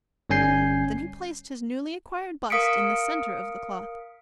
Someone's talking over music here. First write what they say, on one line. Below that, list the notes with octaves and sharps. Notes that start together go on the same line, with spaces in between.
Then he placed his newly acquired bust in the centre of the cloth.
G1 G3 C#4 G#5 G6 C7
A#4 F5 D#6 B6 C#7 D7